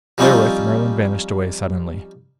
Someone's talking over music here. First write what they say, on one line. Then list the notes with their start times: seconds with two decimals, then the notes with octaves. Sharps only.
Therewith Merlin vanished away suddenly.
0.18 F3 G3 C4 C#4 D#4 F4